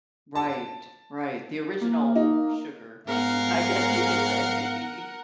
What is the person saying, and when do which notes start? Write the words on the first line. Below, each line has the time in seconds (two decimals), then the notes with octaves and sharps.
Right, right, the original sugar, maybe, I guess you could say.
0.35 A5
1.81 A#3
2.16 D#4
3.07 G#2 B3 A#4 F5 F#5